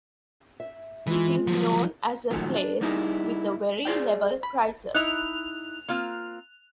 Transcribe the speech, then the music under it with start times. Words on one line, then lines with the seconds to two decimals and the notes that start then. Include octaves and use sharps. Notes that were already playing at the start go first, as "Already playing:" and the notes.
It is known as a place with a very level prices.
0.60 E5
1.07 E3 G#3 F4
1.47 F3 F#3
2.30 A#2 D#3 F3 F#3 A3
2.56 D4
2.81 G3 A#3 D#4 E4 G4 G#4
3.85 G#4 C5 D5 G5
4.43 B5
4.94 D#4 E4 F#6 F7
5.88 A#3 C4 F4